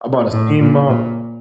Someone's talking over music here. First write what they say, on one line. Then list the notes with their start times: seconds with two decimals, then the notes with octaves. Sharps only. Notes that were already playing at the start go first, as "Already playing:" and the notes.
I bought a steam mop.
0.31 A2
0.59 A#2
0.87 A#2